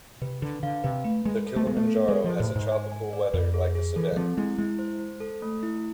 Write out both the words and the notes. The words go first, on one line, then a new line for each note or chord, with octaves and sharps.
The Kilimanjaro has a tropical weather like a savanna.
C3 B4
D3 B4
D3 F5
C3 B4
A3 B4
G#3 B4
A4
A3
G#3 B3
A3
A4
G#3 G#4
F3
C5
A2
C5
G#2
G#5
G#5
D5
F2 B4
G#4
G#4
E3 A4
E3
F3 C4
G#3 E4
G#3 E4
C5
C5
A4
A3
E4